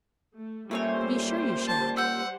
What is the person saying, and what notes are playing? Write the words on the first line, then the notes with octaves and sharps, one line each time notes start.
"To be sure you shall."
A3
A#2 G3 A3 C4 C#4 G4 C5 C#5
A5
F#5 E6 G6